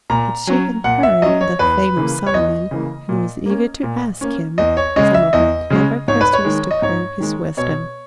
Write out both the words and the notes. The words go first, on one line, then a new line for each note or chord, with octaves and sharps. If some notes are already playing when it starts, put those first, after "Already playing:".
But she had heard the fame of Solomon and was eager to ask him some of her clever questions to prove his wisdom.
A#2 A#5
F#3 C#4
A#2 F#5
E5
F#3 C#4 D#5
C#5
E2 B4
C#3 E3 A#3
C#5
E2 D#5
C#3 E3 A#3
A#2
A#3 C#4
A#2
A#3 C#4
E2 D#5
C#5
C#3 G#3 C#4 D#5
E5
E2 D#5
C#3 G#3 C#4
G#2 C#5
B4
C#5
D#3 G#3
D#5
G#2 C#5
D#3 G#3
B2 C#5